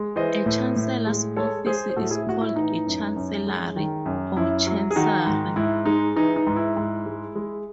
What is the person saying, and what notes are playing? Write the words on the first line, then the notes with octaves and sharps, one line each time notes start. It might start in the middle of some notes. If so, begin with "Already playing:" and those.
A chancellor's office is called a chancellery or chancery.
Already playing: G#3
E3 C5 D#5
A2
A2
G#3
G#3 A4 C#5
G#3 G#4 C5
C5
A2 F#4 A4
E4 G#4
A2 F#4
E4
E3 D#4
F#2
F#2
G#3
D#3
F#2
F#2 E4
F#3
G#4
D#3 D#4 F#4
G#2
G#2 E4
G#3 D#4
E3 D#4
D#4
G#2
E4
G#2
G#3
G#3